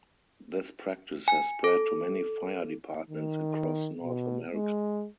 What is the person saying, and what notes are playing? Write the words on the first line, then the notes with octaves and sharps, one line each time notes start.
This practice has spread to many Fire Departments across North America.
G#5
A4
D#3
B2
G#3